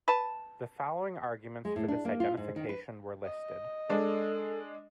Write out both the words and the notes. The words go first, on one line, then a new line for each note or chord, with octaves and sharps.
The following arguments for this identification were listed.
B4 A5
G#3
A2
D4
A#3
F4
G#2
D#3
B4
D#5
G#3 D4 A4